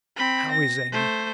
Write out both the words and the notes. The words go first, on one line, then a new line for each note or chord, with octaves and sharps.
"How is Amy?"
C4 B5
A#6
A3 C5